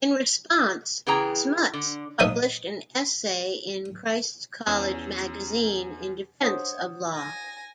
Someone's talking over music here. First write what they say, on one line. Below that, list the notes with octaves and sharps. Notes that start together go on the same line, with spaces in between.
In response Smuts published an essay in Christ's College Magazine in defence of Law.
C#3 E3 B3 G#4 G5 A#5
D3
A#1 D#4 D#6
E2 C#4 E6
D4 C5 C#5 F#5 D#6
G#5 A#6